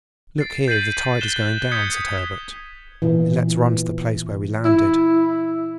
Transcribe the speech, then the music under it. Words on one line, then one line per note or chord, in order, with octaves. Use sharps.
"Look here, the tide is going down," said Herbert; "let's run to the place where we landed."
A6 C7 D7
G6 A6 B6 C7 D#7 F#7
F#6 A6 E7 G7
D#6 G6 G#6 B6 C#7
A#2 E3
E4